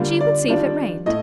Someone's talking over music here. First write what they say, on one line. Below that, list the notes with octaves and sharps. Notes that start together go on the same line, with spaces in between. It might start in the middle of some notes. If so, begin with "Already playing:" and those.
She would see if it rained.
Already playing: D3 G3 A#3 F4
D5
D#3 G3 D4 F4
A2 A3 D#5